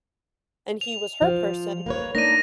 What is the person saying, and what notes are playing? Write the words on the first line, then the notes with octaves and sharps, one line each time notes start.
and he was her person.
F7
F3
A#3 B4 C#5
A#3 D4 D#4 A#6 D#7